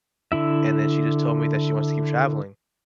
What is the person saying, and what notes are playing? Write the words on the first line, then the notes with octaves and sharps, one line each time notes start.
and then she just told me that she wants to keep traveling,
D3 E4 E5